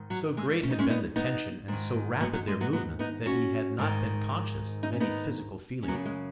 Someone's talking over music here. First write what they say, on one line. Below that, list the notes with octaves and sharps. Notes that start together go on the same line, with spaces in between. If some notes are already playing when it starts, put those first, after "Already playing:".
So great had been the tension and so rapid their movements that he had not been conscious of any physical feeling.
Already playing: G#2 D#3
F#3
G#3
C#4
D#4
G#3 C#4
B3 D#4
B3 D#4
G#2 D#3
F#3 B3
F#3
G#3
F#3 B3
F#3 B3
B3 D#4
C#4 F#4
G#2 D#3
D#4
C#4
B3 D#4
C#4
F#2 C#3 F#3 B3
G#3